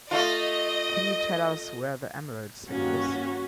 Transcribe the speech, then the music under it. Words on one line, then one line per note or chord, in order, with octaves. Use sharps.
Can you tell us where the Emerald City is?
A3 F4 D#5
G2 D#3 A#3 C#4 F#4